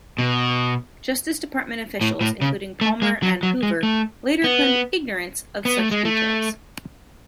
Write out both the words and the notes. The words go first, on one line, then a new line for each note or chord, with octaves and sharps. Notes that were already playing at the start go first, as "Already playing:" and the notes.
Justice Department officials, including Palmer and Hoover, later claimed ignorance of such details.
B2
A2
A2
C#3
A3
G#3
F#3
F#3
G#3
A3
B3
B3
A3
G#3
A3